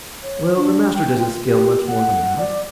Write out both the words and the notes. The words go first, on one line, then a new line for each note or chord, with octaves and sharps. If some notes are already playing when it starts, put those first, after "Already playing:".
"Well, the Master doesn't scale much more than that."
C#5
D4
G5
F4
G4
F#5
D5